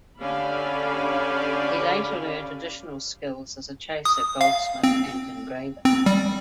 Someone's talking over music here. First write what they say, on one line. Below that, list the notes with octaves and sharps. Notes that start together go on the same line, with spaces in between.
He later learnt additional skills as a chaser, goldsmith and engraver.
D3 C#4 G4 D5 F5 B5
D#6
F5
C4
C4
G3